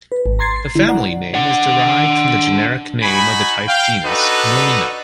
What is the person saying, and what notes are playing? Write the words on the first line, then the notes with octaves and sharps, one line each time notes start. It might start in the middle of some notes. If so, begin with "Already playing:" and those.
The family name is derived from the generic name of the type genus, "Nolina".
B4
G#1
A#5 C6 G#6 A6 C7
C7
D3 E4
D5 F#5 A#5
D4 F#5
D#4 F#4 G#5 B5
F5 G5
D4 D#4 F#4 A4 B4 D#5